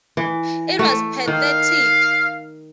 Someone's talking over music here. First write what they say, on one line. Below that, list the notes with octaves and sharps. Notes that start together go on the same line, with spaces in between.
It was pathetic.
E3
A3
D#3 F5